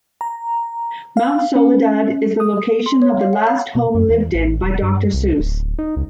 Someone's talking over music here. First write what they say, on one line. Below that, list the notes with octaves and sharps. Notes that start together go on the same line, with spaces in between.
Mount Soledad is the location of the last home lived in by Doctor Seuss.
A#5
F5
C#4
D#6
C6
C#5
F5
F#5
F5
B2
F#2
E2
A1
E1
G2
C2
D1
D#4
C#2